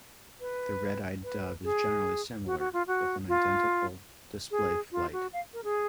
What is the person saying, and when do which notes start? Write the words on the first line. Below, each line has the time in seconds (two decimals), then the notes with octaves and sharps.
The red-eyed dove is generally similar with an identical display flight.
0.41 B4
1.23 B4
1.64 G#4
2.46 F#4
2.59 F#4
2.73 F4
2.87 F#4
3.28 F4
4.51 G#4
4.92 F4
5.13 F#4
5.33 F5
5.53 A#4
5.64 G#4